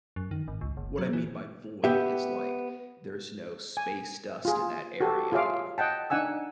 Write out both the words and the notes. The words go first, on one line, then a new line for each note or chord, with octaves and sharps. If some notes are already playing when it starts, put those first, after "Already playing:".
what I mean by void is, like, there's no space dust in that area.
F#2
D#3
G#1
C#2
F#1
F#3
E3
B3 G4 E5
G#5
F4 G#4
F#4 G4 A4
F4 G#4 C#5 E5 F5 D6
D#5 F#5 G5 A5
D4 D#4 F#5 G#5 E6